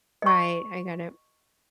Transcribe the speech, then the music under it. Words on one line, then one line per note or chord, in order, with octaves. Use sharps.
Right, I get it.
D#5 C#6